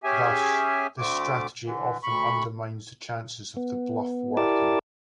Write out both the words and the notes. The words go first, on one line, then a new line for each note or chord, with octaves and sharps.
Thus, this strategy often undermines the chances of the bluff working.
C#4 G4 G#4 E5 G#5
D2 D3 A3 C4 D6
D3 E3
D2 B5 C#6
B3
E4 G4 A#4 D5 A5 D6